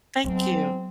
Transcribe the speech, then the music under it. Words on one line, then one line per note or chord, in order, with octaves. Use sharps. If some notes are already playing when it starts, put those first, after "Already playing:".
Thank you.
G#2 F#3 B3 C4